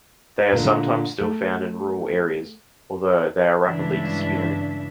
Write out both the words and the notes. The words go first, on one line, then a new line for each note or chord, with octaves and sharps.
They are sometimes still found in rural areas, although they are rapidly disappearing.
A#2 D3
A3
G2 C#3 E3 G#3 D4 E5